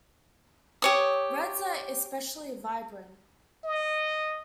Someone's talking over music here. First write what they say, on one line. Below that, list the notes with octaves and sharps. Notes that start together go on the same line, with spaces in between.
Reds are especially vibrant.
G4 C#5 D#6
D#5